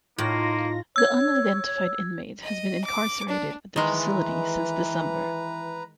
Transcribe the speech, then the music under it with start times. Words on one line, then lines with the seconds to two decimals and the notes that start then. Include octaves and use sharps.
The unidentified inmate has been incarcerated at the facility since December.
0.18 A2 A#3 D#4 F4 A#6
0.96 C#5 E6 G#6
2.44 D#5
2.84 D6
3.29 D4
3.76 D#3 E3 G#3 B4 A#5